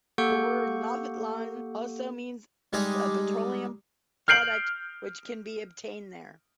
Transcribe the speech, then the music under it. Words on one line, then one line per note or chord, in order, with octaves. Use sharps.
The word "naftalan" also means a petroleum product which can be obtained there.
A#3 G4 A4 F#5 C#6 G6
G3 G#3 D#4 G4 G#4 D#5
F6 G6 C7 D7 F#7